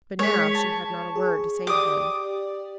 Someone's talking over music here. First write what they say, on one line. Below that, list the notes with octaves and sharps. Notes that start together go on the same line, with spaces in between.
But now she had not a word to say to him.
G#3 G#4 C#5 B6
A5
G#4
G4 D5 D6 D#6